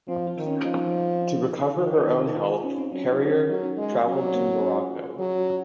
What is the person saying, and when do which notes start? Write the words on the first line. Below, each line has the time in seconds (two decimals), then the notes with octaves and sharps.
To recover her own health Perrier traveled to Morocco.
0.08 F3 C4
0.27 F4
0.37 D#3
0.47 C#4
0.65 F3 D#4
1.78 D#3 F4
1.98 D#4
2.17 D#4
2.35 F4
2.50 D#4
2.64 C#4
2.78 C4
2.92 F#3 C#4
3.11 D#4
3.30 C#4
3.49 F#3 D#4
3.63 C#4
3.77 G#3 F#4
3.92 F#4
4.05 F#3 C#4
4.19 C4
4.34 A#3
4.49 C4
4.62 C#4
4.76 F4
4.90 F#4
5.05 G#4
5.19 F#3 G#4
5.38 F#4